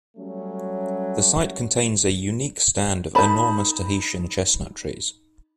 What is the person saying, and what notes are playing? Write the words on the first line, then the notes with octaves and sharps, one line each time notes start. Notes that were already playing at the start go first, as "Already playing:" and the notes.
The site contains a unique stand of enormous Tahitian chestnut trees.
F#3 G3 A3 C#4
D#4 B4 A5 B5